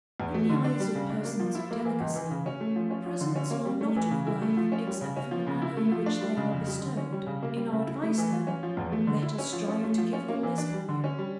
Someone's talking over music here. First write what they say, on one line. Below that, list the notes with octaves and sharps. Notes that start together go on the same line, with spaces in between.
In the eyes of persons of delicacy, presents are not of worth, except from the manner in which they are bestowed; in our advice, then, let us strive to give them this value.
E2
A3
D3
D4
G3
C#3
D4
A#3
F3
E4
A#3
E3
C#2
E3
C#3
C#4
A3
F3
C#4
F3
D3
C#4
A#3
G3
A3
E3
C#3
E4
A3
F3
C#4
G3
C#3
C#4
F3
C#3
E4
A3
F3
D4
G3
C#3
F2
G3
D3
C#4
G3
C#3
A#3
G3
C#3
E4
A3
E3
F4
C#4
F3
E2
A3
D3
E4
C#4
F3
C#4
A3
F3
C#4
A#3
E3
D4
G3
D3
C#4
G3